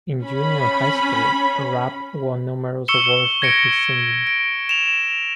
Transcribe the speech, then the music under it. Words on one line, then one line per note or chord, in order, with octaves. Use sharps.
In junior high school, Rapp won numerous awards for his singing.
C#4 B5
C#6 E6 C#7 E7 G7
G#6 A#6 C#7 D7
D7
E7 F7